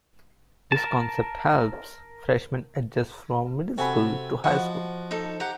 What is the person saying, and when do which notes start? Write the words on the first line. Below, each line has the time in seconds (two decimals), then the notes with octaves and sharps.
This concept helps freshmen adjust from middle school to high school.
0.72 A#4 A5
3.78 C3 F#4 A4 G#5 B5
4.44 F3 F#4 D#5 F5 F#5 B5
5.11 D#4 A4
5.40 G4 F#5 A#5